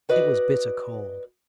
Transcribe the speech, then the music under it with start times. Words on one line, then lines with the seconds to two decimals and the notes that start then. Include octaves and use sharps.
It was bitter cold.
0.09 F#4 B4 D5 D#5